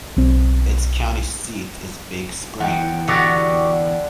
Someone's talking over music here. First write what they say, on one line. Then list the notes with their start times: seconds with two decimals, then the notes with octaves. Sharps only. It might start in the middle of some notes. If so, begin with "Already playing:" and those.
Its county seat is Big Spring.
0.17 B1 C4
2.60 E2 F#5 G5
3.08 D3 B3 F#4 G4